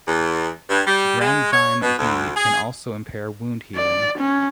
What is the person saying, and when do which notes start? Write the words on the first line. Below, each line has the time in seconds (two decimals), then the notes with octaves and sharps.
Granzyme B can also impair wound healing.
0.07 E2
0.70 G2
0.87 G3
1.20 G#3
1.52 C#5
1.82 B2
1.99 D2
2.35 G#4
3.76 D5
4.18 C#4